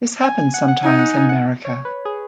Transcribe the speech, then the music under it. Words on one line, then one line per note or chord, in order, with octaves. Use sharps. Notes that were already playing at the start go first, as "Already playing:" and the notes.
This happens sometimes in America.
G#5
G#5
F#5
F#5
D#4 G#5
F#5
G#5
F#5
C#5
B4
G#4